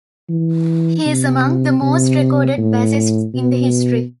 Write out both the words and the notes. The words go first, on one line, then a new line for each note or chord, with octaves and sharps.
He is among the most recorded bassists in history.
E3
C3
C3
A2
B2